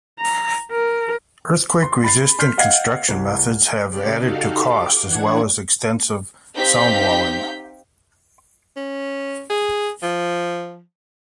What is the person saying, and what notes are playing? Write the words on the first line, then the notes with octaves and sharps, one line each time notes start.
Earthquake resistant construction methods have added to costs, as well as extensive soundwalling.
A#5
A#4
C6
B5 A6 C7
C6 F6 G6 B6 C7
D#5 F5 F#5 F6 G#6 C7
C2
C#3 G4 D5
D#4 F#4 G4 A4 F5
D6
E3 D4 F#5 G#6
C4 D#4 G4 F5 G6 B6
C#4
G#4
F3